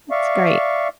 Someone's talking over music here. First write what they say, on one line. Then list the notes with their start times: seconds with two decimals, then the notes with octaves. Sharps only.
that's great.
0.11 D5 E5 F5 C#6